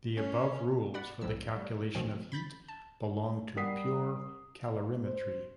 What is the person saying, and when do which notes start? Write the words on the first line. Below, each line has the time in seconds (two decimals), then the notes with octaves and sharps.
The above rules for the calculation of heat belong to pure calorimetry.
0.16 C#4
0.94 D5 F#5 B5
1.21 B1 F2 A2 F3 E6
1.56 G3
1.95 C#2 B2 D#3 F3 C4
2.32 B5 G6 A6 B6
2.68 A5
3.56 G3 A#4 F#5 D#6 B6 C7
5.05 C5